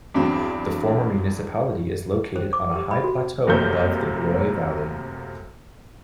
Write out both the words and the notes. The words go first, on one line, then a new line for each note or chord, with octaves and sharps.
The former municipality is located on a high plateau above the Broye valley.
E2 G2 F#3 C4
C5
D6
G4
B5
F#4
F1 F#2 C3 A#3 A4 G6